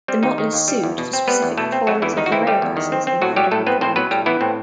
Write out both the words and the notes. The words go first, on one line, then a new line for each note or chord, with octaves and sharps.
The Mottleys sued for specific performance of the rail passes in federal court.
G3 C4
D#2 D#4
D#3
D#2
G3
E2
B2
C4
G3 B3 B4
E2
B2 A3 A4
C4
F#3 A3 F#4
E2 E3 E4
D#3 D#4
F#4
E3 C4 E4
G3 A3 G4
E2
D#3
C4
C4
A2 F#3 F#4
F#3 G3 G4
A2 A3 A4
B3 C4 B4
A2 C4 C5
F#3 B3 B4
A2 G3 G4
E3 B3 E4
A2 C4